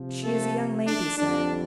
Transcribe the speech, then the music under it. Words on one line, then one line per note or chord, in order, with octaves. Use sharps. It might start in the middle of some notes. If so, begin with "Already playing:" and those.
"She is a young lady, sir."
Already playing: C3 F3
A3 A4
D4
F2 D3 G3 D4